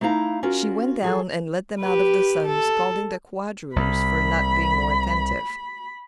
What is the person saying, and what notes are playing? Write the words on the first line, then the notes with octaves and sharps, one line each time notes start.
She went down and led them out of the sun, scolding the quadroon for not being more attentive.
A3 D#4 E4 F5 A#5
C#4 F4 F#4 A#4
F3 G#4 A4
G4 B4
A4
C2 B5